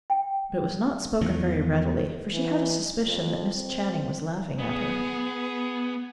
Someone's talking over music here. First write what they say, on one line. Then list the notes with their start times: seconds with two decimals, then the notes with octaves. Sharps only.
But it was not spoken very readily, for she had a suspicion that Miss Channing was laughing at her.
0.10 G5
1.21 E2 G#2 F3
2.33 E3
3.02 F2
3.57 C4
4.59 B3 G#4